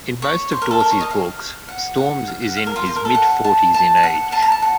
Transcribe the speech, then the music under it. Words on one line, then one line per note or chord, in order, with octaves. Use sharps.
In most of Dorsey's books, Storms is in his mid-forties in age.
C#5
C5
A#4
A4
A#4
C#5
D#5
F5
F#5
F#5
F5
F#5
F5
A#4
F4
C5
A#4
A4
F#5
A5
A5
A5
F#5
A5
A#5
A5
F#5